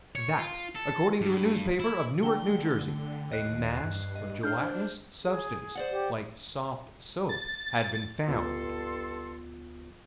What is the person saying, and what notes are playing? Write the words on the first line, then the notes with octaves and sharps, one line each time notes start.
That, according to a newspaper, of Newark, N.J., a mass of gelatinous substance, like soft soap, had been found.
C#5
F4
A4
G2
E4
D3 A3 G5 G7
D#2 D#5 F#6 C7
G2
D#5
D4 C5 F6 G6
G#4
C5 D5 F#5
G4
A6
D2 G2 B3 F4 A4 C6